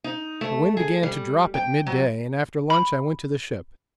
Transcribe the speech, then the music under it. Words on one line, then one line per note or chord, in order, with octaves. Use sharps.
The wind began to drop at midday, and after lunch I went to the ship.
D#4
A3
G#4
G3
G5
F#3
B5